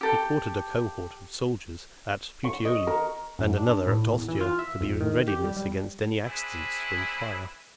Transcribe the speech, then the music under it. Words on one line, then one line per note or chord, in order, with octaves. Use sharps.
He quartered a cohort of soldiers at Puteoli, and another at Ostia, to be in readiness against any accidents from fire.
G4 A4 G5
C#6
D#5
A#4
F#2
D4
A2
E2
E3
F4
E5
F2
D#3
G4
G3
G3
C4 D4 E4 G#4 B4